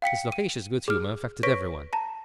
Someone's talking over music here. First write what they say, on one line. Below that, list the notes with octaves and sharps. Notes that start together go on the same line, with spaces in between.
His loquacious good-humour infected everyone.
F5 G5 B6 C#7
D#7
G#4 F6
B4 C#5 C#6 A#6 B6 D7
A5 A#5